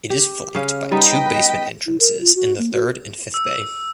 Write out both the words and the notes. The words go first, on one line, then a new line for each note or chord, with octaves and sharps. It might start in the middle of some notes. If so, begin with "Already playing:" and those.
It is flanked by two basement entrances in the third and fifth bay.
G4
C#3 C#4 F5
G3 B3 D#4 D#5 G5 B6
B4
E4
A#4
F4
F#4
A#3
F#4
E6